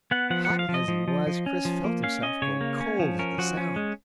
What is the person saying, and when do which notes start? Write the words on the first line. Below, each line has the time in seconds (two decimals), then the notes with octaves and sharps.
Hot as he was, Chris felt himself go cold at the sound.
0.11 B3 F#5
0.30 F3 F#5
0.45 F3 F#5
0.59 F5
0.69 F3
0.74 D#5
0.88 F3
1.08 F3
1.27 F3
1.46 C#4
1.65 F3
1.84 A#3
2.03 C#4 F5
2.22 C#4 D#5
2.42 C#3 C#5
2.61 A#3
2.80 C#4
3.00 F3
3.19 C#4 A#4
3.38 F3 F#4
3.57 C#4
3.76 G#3